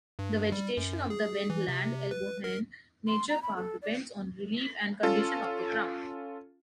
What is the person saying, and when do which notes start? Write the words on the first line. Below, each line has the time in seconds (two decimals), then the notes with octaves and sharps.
The vegetation of the Wendland-Elbhöhen Nature Park depends on relief and condition of the ground.
0.19 G2
0.52 G3
0.77 F#2
1.10 G#4
1.50 E3
1.68 C3
2.11 B4
2.44 A#4
3.08 C6
3.30 A#5
3.43 B5
3.56 A4
3.82 D5
5.03 C#4 F4 A4